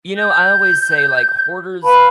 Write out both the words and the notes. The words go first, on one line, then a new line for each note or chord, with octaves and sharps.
you know, I always say, like, Hoarders,
G6
B4 F5 A5 B5